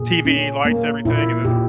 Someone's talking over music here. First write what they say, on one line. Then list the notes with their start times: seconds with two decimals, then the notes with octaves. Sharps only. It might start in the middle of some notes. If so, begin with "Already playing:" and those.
TV, lights, everything, and then ju
Already playing: A#2 G#4
0.25 C#4
0.65 A#3
1.05 A#2 E4
1.45 A#2 G4